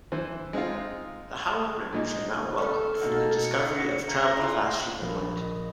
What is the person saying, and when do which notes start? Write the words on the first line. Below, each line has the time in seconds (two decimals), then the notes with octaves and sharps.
The Howard members are now welcomed for their discovery of travel faster than light.
0.12 E3 C5
0.53 G#3 C4 D#4 F4
1.93 A#2 G#3 D#4
2.58 A3 C#4 A4 F6
3.02 B2 A#3 D#4 F#5
3.44 C#7
3.77 B3 F#4 A#6
4.07 C3 A3 A#5
4.37 E4 F4 D5
5.01 A#1
5.41 D#5